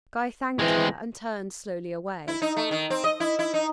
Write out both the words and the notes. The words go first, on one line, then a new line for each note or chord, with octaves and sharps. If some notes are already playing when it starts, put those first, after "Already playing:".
Guy thanked her, and turned slowly away.
E3 G#3 C4
E4
D#4
A3
D#3
C4
D#5
E4
E4
D#4